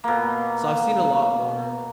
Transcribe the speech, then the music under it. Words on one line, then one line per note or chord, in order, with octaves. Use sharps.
so I've seen a lot more,
B2 A#3